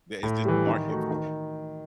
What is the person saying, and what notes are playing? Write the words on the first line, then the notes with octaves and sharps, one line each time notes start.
there is just a market for it.
A2
E3 G3
D#3
A3 D#4 F#4
D#3